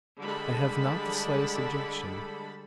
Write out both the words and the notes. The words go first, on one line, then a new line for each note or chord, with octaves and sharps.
I have not the slightest objection.
D3 G3 G#3 A4 A5 B5